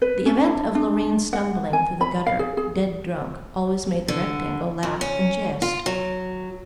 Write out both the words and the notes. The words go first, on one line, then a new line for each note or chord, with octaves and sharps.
The event of Loreen's stumbling through the gutter dead-drunk always made the Rectangle laugh and jest.
B4
C#4
D4
D4
F#5
G#5
B5
F5
G#4
G#4
D3
F2
C#4
F4
F#3